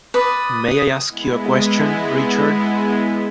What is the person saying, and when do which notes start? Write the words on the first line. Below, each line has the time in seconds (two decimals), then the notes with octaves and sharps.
May I ask you a question, Richard?
0.14 B4 D5 D#6
1.07 G#3 B3 E4